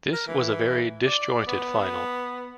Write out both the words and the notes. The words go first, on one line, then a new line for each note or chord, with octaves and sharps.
This was a very dis-jointed final.
A#4
E3
D5
B3